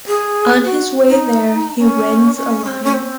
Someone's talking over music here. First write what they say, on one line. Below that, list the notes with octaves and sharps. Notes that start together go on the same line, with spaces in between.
On his way there, he rends a lion.
G#4
F#4
D#4
C#4
C#4
C#4
C4
C#4
C4